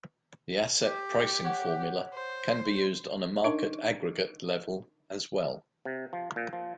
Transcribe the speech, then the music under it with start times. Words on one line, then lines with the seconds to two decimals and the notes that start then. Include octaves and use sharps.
The asset pricing formula can be used on a market aggregate level as well.
0.83 G4
1.44 C#5 F#5
2.13 C5
3.44 D4 D#4 A#4 C#5 D#5
5.85 C3
6.13 F3
6.36 A#2
6.53 F3